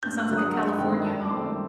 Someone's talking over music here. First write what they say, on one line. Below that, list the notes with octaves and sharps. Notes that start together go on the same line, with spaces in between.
It sounds like a California home.
G2 G6
F#6
D3 F#3 A#3
D#6
G2 F#5
D#3 A3 C4 G5
F#2 A5
D6
D#3 A3 C4 C6